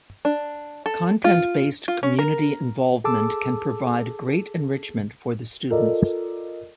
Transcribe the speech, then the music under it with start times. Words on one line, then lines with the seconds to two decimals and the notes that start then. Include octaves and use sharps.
Content-based community involvement can provide great enrichment for the students.
0.25 D4
0.86 A4
1.24 F4
1.88 F4
2.03 C#4
2.19 A#4
3.04 G#4 A4 A5 D6 E6
5.70 F4 A4 A#4 D5 D#5